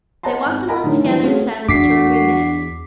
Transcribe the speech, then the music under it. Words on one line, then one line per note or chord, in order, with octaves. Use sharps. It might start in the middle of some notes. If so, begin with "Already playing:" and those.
They walked along together in silence two or three minutes.
C5 D#5 F#5 A5 A#5 C6
G#1
A#4 D#5 F#5 G#5 A#5 B5
A2 D3 D#3 F3 C#5
E3 F#3 G3 B3 D4 E4
A3 C#4 F4 F#4 G#4
E2 D4 F#4 D6 B6 C7